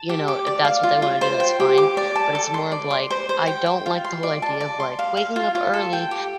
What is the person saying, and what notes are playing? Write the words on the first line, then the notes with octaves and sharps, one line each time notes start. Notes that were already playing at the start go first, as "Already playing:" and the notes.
you know, if that's what they wanna do, that's fine, but it's more of, like, I don't like the whole idea of, like, waking up early,
Already playing: A5
G4
D6
D5
F5
F4
F4
C5
G5
G4
D6
D5
A5
A4
C6
D5
C6
C5
C5
G5
G5
F4
C6
D5
A5
D5
C6
F5
F5
F4
F4
A4
G5
G4